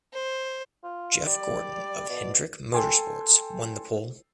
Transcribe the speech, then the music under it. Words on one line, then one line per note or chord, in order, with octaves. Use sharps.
Jeff Gordon of Hendrick Motorsports won the pole.
C5
F4
G3 D5
B2
A4 G5 G#5 C6